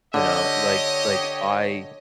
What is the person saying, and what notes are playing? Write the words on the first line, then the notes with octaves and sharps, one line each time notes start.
You know? Like like, I,
D3 G4 C#5 D#5